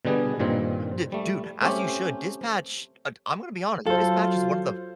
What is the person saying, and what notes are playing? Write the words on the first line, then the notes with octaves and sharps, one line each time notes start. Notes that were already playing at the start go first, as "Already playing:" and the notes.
D Dude, as you should. Dispatch I I'm gonna be honest. Dispatch is one of the
B2 D3 G3 B3 G#4
G2 A#2 D#3 C4
G3 A3
A3 C4 C#4 G4
F#3 F4 A4 C5 F5